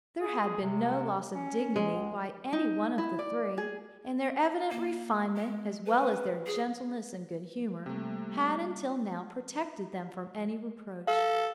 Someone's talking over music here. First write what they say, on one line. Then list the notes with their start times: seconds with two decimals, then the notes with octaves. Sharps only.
There had been no loss of dignity by any one of the three, and their evident refinement, as well as their gentleness and good humor, had until now protected them from any reproach.
0.20 G#4
0.62 C3
1.35 C#4
1.76 G#3
1.93 C#2
2.53 D#4
2.98 E4
3.19 D5
3.58 G#4
4.71 A#3
5.36 G#3
5.85 B4
6.46 G#4
7.86 C3 G3 A3 A#3
11.07 A4 F5